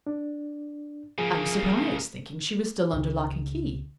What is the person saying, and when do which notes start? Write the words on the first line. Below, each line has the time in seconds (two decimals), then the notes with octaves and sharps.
I was surprised, thinking she was still under lock and key.
0.07 D4
1.18 C#3 F3 A#3 G#4
2.93 C#2 C#3